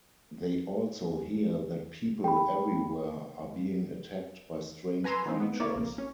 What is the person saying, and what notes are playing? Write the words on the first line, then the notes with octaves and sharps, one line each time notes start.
They also hear that people everywhere are being attacked by strange creatures.
G5 B5
B4 G#5 A#5 C6 E6
D#3 E3 A#3 C4 D#4
B3
A#3 E4 C#5 D5
A#1 A#3
C#4